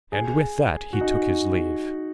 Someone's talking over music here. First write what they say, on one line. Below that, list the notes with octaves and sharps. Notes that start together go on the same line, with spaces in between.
And with that he took his leave.
G#4
F#4
D#4